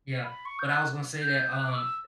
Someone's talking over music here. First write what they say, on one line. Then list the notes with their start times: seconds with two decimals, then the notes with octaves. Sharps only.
yeah. But I was gonna say that, um,
0.24 B5
0.45 C#6
0.59 G6
0.66 F#6
1.22 G6
1.53 F#6
1.65 D6
1.75 E6